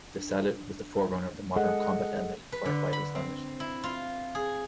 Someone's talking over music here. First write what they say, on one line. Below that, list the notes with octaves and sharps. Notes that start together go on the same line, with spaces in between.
The sallet was the forerunner of the modern combat helmet and firefighter's helmet.
D4
G#3 G#4 A4 D#5 F#5
B4
D3
B5
C4
E4
F4
G#4